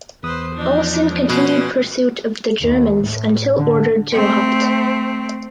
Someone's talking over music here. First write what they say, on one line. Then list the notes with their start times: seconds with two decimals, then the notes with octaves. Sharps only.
Olsen continued pursuit of the Germans until ordered to halt.
0.23 E2 B4 C5 D#6
0.55 F3 D4 D#4
1.29 B2 C#4 F4 B4 F#6 C7
2.62 D#2
3.03 A2
3.57 D3
4.12 A3 C4